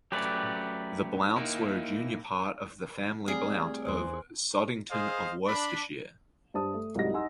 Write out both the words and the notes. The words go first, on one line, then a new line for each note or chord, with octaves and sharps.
The Blounts were a junior part of the family Blount of Sodington of Worcestershire.
F#3 A3 C#4 G4 B4 D5
A#3 D#4 E4
A2 C3 G3 G#4 D5 F6
E2 C5 G#5 C6
G#4 C5 D#5 F5
D4 B5
G2 C5 A5 D#6
A3
C2 G#2 F#3 G3 D#5 A#6
D#4 D#5 F#5 G#5 C6 E6